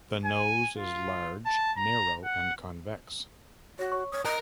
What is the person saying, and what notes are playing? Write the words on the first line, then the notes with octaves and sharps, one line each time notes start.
The nose is large, narrow and convex.
G#5
F4
A5
A#5
F#5
F#4 C#5 A#6
C#5 C#6
C#5 D#6
A#4 D#5 A#5 F#6